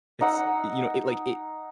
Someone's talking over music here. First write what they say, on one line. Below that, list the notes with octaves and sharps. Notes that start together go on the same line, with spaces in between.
It's, you know, it, like, it
D#4 F#5 E6